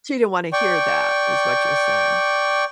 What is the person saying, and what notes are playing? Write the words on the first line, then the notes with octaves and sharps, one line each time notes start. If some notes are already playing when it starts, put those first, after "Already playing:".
She didn't wanna hear that, is what you're saying.
D5 G5 C#6